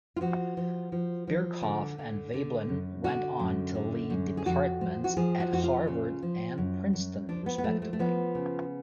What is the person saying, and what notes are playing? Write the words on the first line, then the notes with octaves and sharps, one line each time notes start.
Birkhoff and Veblen went on to lead departments at Harvard and Princeton, respectively.
F4
F3 F#4
F3
F3
F3
D3
D3
D3
F#2
D3 F#4
F#2
D3
F#2
G#4
F2 F#4
F3
F#4
F3 G#4
F#4
F2 F#4
F4
C#3
F3
F#2
F#2
F3 D4
B3
B3
F3 A3
A3
A3
F3 B3
C#3